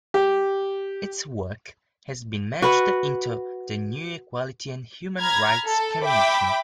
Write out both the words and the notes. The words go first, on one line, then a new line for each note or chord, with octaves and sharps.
Its work has been merged into the new Equality and Human Rights Commission.
G4
F#4 B4 F#5
A#5 B5 F6 G#6
A4
E5 G5 B5 D6